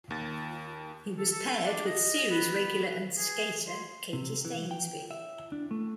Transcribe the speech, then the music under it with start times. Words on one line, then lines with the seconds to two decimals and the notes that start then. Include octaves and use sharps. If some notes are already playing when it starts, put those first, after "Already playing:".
He was paired with series regular and skater Katie Stainsby.
0.10 D#2 A6
1.18 A4
1.31 A4
1.66 D4
1.86 D#5
2.31 B3
3.17 G#4
3.67 C6
4.13 C3
4.45 E3
4.71 G5
5.11 E5
5.52 D4
5.71 A3